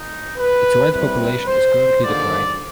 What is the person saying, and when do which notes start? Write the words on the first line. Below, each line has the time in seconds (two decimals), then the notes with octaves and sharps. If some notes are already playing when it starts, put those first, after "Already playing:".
Its wild population is currently declining.
Already playing: D#4
0.37 B4
0.92 C2 C3 G3 B4
1.47 C5
2.03 D#2 D3 F3 D5